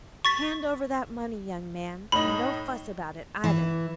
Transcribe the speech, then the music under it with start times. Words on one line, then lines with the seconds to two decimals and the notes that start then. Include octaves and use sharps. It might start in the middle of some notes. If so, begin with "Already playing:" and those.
"Hand over that money, young man, and no fuss about it, either!"
0.25 C#6 A6 B6
2.12 A2 D#4 B5
3.44 E3